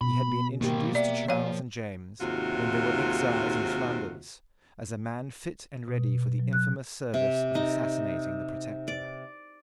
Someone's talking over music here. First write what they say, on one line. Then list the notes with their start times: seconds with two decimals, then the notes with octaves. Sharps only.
He had been introduced to Charles and James when they were exiles in Flanders, as a man fit and ready for the infamous service of assassinating the Protector.
0.01 B2 B5
0.61 G#2 D#3 A#3 G4
0.95 D5 E5 A#5
1.28 F3 C#5 F5
2.21 D#2 G#2 C3 F4 F#4
5.88 B2
6.39 F#3
6.53 F#6
7.14 C3
7.55 D#4
8.88 D5